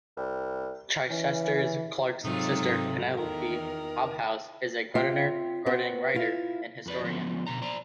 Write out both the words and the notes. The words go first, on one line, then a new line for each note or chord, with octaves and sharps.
Chichester-Clark's sister, Penelope Hobhouse, is a gardener, gardening writer and historian.
C2
E3 C#4
G#2 C3 F#3 A3 D#4 F4
E2 D#3 E3 A#4
C4 F4 E5 G5
B3 C4 F#4
E4 F4
F2 B4 D5
D3 F3 F#3 G#3 B3 C#4
B2 D3 A#5
C5 D5 A#5